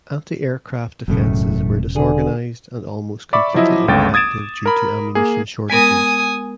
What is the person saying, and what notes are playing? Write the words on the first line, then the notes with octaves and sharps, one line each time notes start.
Antiaircraft defenses were disorganized and almost completely ineffective due to ammunition shortages.
E1 F#2 A2 C#3 A3
D3 G#4
D5 E5 B5 C#6 D6
F3 F#3 E4 D#5 E5
G1 C#2 A3 G5 A6
D#6 G#6 A6 D7 E7
A#4 B5
A#3 G#4
G#3 B3 A#4 G#5 D#6